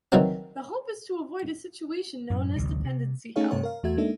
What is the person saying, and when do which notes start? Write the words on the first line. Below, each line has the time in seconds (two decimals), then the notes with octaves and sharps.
The hope is to avoid a situation known as dependency hell.
0.12 D#3 E3 F#3 C4
2.30 F#2 A2
2.56 A1 D2 C3 G3
2.84 C3
3.36 A3 C#4 D#4 G#4 C#5 F5
3.50 G2 C3 A3 C#5 C#6
3.63 A#4 F5
3.83 E2 A3 F#4 E5 G#6
3.97 G#3 A#3 D4 D#4 A4 E5